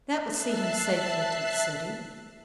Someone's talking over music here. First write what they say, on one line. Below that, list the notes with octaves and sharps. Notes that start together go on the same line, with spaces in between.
That will see him safely to the City.
E5 A5 F#6 C7